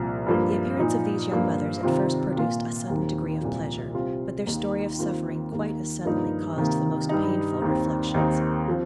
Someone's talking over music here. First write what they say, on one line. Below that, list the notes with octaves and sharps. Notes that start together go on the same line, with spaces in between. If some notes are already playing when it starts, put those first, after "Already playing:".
The appearance of these young mothers at first produced a sudden degree of pleasure, but their story of suffering quite as suddenly caused the most painful reflections.
Already playing: C2 A#2 F3
G2 F3 A#3
A#2 F3 D#4
G2 F3 A#3
C3 D#3 C4 F4
A#2 A#3 F4
D#2 D#3 C4
C2 A#2 F3
C3 G3 C4 F4
D#2 D#3 A#3 D#4
D#2 D#3 C4 F4
D#2 D#3 A#3
G2 F3 A#3 D#4
C3 D#3 A#3
G2 G3 D#4
D#2 D#3 C4
D#2 D#3 C4 D#4
F3 C4